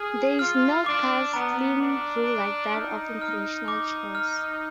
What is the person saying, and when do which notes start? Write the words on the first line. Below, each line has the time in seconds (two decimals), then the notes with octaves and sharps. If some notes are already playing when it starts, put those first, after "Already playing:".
There is no castling rule like that of international chess.
Already playing: G#4 F6 D#7
0.39 F4 F6
0.86 D4 D6
1.33 B3 A#5
1.80 D4 D6
2.27 D7
2.74 D#4 F6
3.21 F6
3.68 D6
4.15 F6